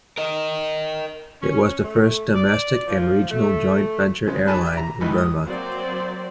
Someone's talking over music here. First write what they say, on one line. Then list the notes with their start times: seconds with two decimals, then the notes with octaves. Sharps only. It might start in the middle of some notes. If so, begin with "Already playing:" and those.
It was the first domestic and regional Joint Venture Airline in Burma.
0.18 A#4 D#5
1.41 C#4
1.84 A3
2.35 D5
2.88 F3
3.30 A3
4.27 C#3 G#3 C4 C#4
4.47 D4 G#4 B4 G#5 A5 B5
4.61 G4 E5
4.77 A#5
5.01 G#1 C#2 E3 G3 D#4 B4
5.18 D#6
5.45 F#3 A#3 C4 C5 D5